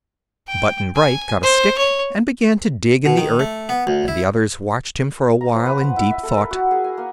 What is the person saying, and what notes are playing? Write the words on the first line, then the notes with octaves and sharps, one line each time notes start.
Button-Bright got a stick and began to dig in the earth, and the others watched him for a while in deep thought.
G5
G#5
C5
C#5
B2
D#3
A3
B3
D2
E4
A#5
F3
B4
F#5
E4
E5
A4
A#4
F#4
G#4
G#5
A#3